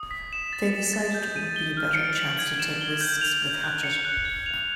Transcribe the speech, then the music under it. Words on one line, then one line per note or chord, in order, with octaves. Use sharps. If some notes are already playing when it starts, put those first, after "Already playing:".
They decided it would be a better chance to take risks with Hachette.
Already playing: D#6
B6
E7
A6
E7
A6
G6
D#7
G7
F6
D7
F#7
G#6
E7
G7
G6
F7
G6
F#6
C#7
F#6
G#6
F7